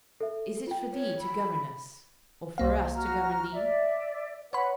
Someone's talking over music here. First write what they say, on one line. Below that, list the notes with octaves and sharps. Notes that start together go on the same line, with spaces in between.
Is it for thee to govern us, or for us to govern thee?
A4 E5
F4 G5
C#5
B5
C2 A#3 C5 F5
F#4 A#5 F6
D5 E5
B4 C#5 F#5 B5